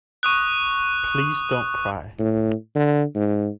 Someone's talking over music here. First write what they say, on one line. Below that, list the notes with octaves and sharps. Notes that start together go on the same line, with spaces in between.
Please don't cry.
C#6 D#6 F#6
A2
D3
G#2